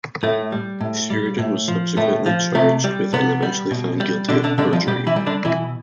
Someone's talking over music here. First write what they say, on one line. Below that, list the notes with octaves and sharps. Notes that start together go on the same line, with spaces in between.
Sheridan was subsequently charged with and eventually found guilty of perjury.
A2 A3
G3
A2
G3
A2
F3
A2 A3
F3
C3 A3
G3
C3 B3
G3
B2
G3
B2 D3 D4
D3 D4
D3 G3 D4
F3 F4
B2 G3 G4
E3 E4
G3
D3 D4
B2 E3 E4